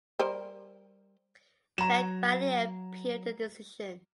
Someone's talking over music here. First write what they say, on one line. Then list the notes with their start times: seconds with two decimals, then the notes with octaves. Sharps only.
Bank Bali appealed the decision.
0.19 G3 A#4 C5
1.78 F#3 A#5 E7